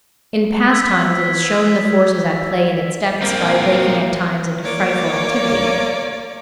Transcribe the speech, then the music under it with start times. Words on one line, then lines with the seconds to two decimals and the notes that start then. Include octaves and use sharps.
In past times it has shown the forces at play in its depths by breaking at times into frightful activity.
0.71 E6 G#6 B6
3.22 A#3 C4
4.61 A#3 C#5 D5